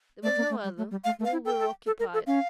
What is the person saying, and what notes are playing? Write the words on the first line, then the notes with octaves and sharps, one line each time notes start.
There was no other, all were occupied.
A3 D5
A#3
A3
G3
A3
G3
A3 F5
A3
F5
E4
A4 G5
A4
A4
A#4
A4
C#4 F5